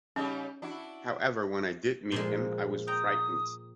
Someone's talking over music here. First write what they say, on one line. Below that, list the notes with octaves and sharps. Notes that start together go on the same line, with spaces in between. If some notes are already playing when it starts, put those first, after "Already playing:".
However, when I did meet him I was frightened.
C#3 G3 C#4 D#4
D4 E4 F#4
A#2 F3 G#3
G5 A#5 D#6